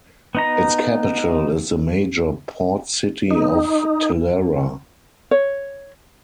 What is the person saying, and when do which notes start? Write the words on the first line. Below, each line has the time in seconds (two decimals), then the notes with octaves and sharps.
Its capital is the major port city of Talara.
0.35 B3 D#4 A#5
3.31 D#4
5.31 C#5